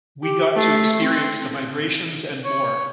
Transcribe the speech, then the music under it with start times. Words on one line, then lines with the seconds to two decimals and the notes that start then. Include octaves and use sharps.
We got to experience the vibrations and more.
0.24 G4
0.56 A3 C7
0.99 C4
2.45 C#5